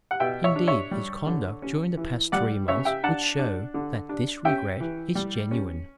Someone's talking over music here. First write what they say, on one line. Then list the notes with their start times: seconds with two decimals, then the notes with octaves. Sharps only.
Indeed, his conduct during the past three months would show that this regret is genuine.
0.11 F#5
0.20 B2 E5 G5
0.44 C#5 E5
0.56 D4
0.67 C#5 E5
0.91 G3
1.27 D3
1.62 C#4
1.97 E3
2.32 G3 D5 F#5
2.68 C#3 C#5 E5
2.85 E5 G5
3.03 D4 F#5 A5
3.39 D4
3.74 D3
4.09 D4
4.45 C#4 E5 G5
4.80 E3
5.15 G3
5.51 C#4